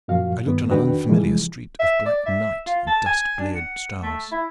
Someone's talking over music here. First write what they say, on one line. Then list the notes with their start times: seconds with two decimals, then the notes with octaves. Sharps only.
I looked on an unfamiliar street of black night and dust-bleared stars.
0.08 F#2 A#2 F3 F#4 F5
0.45 G2 D#3 B3
0.70 F2 D#3 D4 F#4 B4 G5
1.09 C3 E3 F3 G3 G#3
1.79 E5
2.06 D5
2.26 E5
2.66 F4
2.87 A5
3.06 G#5
3.39 D4
3.55 F#5
4.03 A3
4.32 E4